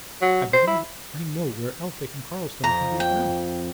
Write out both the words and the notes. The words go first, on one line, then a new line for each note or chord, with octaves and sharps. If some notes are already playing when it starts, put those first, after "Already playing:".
I believe I know where Elphick and Cardlestone can be found.
F#3
C5
E4
F2 A#5
G5